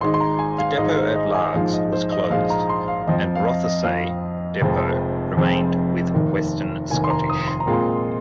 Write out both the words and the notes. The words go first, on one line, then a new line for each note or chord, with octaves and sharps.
The depot at Largs was closed, and Rothesay depot remained with Western Scottish.
G#1 G#2 G#3 D#4 C6
C6
A#5
G#5
F5
G#1 G#2 G#3 D#4 D#5
C5
D#5
G#5
A#1 G#2 F3 G#3 F5
D#5
C5
D#5
D#5
A#1 G#2 F3 G#3 F5
A#5
C6
F5
F2 F3 C4 D#5
F5
D#5
D#5
F2 F3 C4 F5
F1 F2 F3 G#3 C4
F1 F2 F3 G#3 C4
F1 D#2 D#3
F1 D#2 D#3 G#5
C6
A#5
D#6
C6
A#5
A#2 G#3 C4 F4
C6